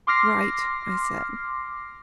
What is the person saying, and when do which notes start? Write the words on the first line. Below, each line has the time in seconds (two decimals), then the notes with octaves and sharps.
"Right," I said.
0.07 C6 D6 F6 A#6 C7